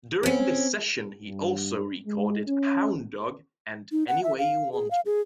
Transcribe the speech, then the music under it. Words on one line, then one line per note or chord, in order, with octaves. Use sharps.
During this session he also recorded "Hound Dog", and "Any Way You Want Me".
C4 C#4
G2
G#3
C#4
D#4
F#5
E5
F5
G#4
F5
G#4